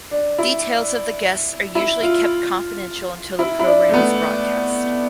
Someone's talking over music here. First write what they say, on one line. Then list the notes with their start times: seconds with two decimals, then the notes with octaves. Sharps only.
Details of the guests are usually kept confidential until the programme is broadcast.
0.11 D4
0.39 E4
1.75 E4
2.02 F4
3.39 E4
3.59 E4
3.66 D4
3.89 A3
3.94 B3